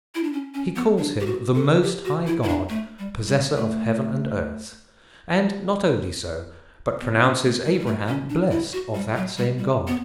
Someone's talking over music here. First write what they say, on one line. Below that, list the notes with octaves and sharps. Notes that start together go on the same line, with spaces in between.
He calls him "the most high God, possessor of heaven and earth;" and not only so, but pronounces Abraham "blessed" of that same God.
E4
D4
C#4
C#4
B3
D4
G4
F#4
A4
G4
F#4
E4
E4
D4
A3
G3
G3
A3
B3
C#4
A3
G3
F#3
G3
A3
C#4
D4
E4
F#4
G3
F#3
G3
G3
B3